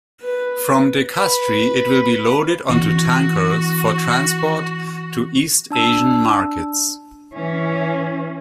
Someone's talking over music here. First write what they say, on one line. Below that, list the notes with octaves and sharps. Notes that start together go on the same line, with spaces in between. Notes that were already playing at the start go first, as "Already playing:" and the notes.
From De-Kastri it will be loaded onto tankers for transport to East Asian markets.
B4
B4
E3 C4 F#4
D4 A5 E6
E3 C#4